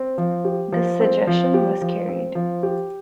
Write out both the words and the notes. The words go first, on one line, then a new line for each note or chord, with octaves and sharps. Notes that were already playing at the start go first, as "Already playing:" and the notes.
This suggestion was carried.
Already playing: C4
F3
G4
F3
C4
F3
G4
F3
C4
F3
G4